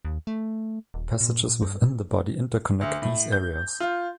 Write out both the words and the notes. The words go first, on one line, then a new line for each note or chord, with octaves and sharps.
Passages within the body interconnect these areas.
D#2
A3
D#1
A#2
G2
D2
A2
G6
F4